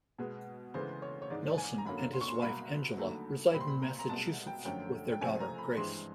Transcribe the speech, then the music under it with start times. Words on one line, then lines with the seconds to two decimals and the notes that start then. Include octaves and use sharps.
Nelson and his wife Angela reside in Massachusetts with their daughter, Grace.
0.19 B2 G#3 B3
0.74 D2 C#3 E3 G#3 B3 C5
1.02 C#5
1.22 C#5
1.30 G#2 E3 G#3 D5
1.58 G#5
1.78 A#5
1.85 F#2 D3 F#3 A#3 C#4 B5
2.13 C6
2.21 C#6
2.28 C6
2.41 C2 B2 F#3 A#3 B5
2.97 D#2 D3 F#3 A3
3.53 A#2 G3 C4 B5
3.60 C6
3.67 B5
3.82 A#5
3.99 A#5
4.09 C2 B2 G#3 A5
4.47 G5
4.65 F#2 D3 F3 A3 C#4 G5
5.12 G5
5.21 C#2 C3 F3 A3 C4 G#5
5.40 A#5
5.58 B5
5.77 G2 E3 G#3 C4 C6